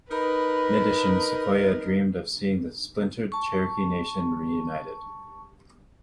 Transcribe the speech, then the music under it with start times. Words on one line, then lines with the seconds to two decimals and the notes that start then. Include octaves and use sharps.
In addition, Sequoyah dreamed of seeing the splintered Cherokee Nation reunited.
0.11 D#4 A#4 B4 B5
3.32 A5 C#6